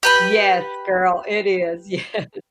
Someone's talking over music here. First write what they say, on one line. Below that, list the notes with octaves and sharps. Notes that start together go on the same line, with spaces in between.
Yes, girl, it is, yes.
G4 B4 B5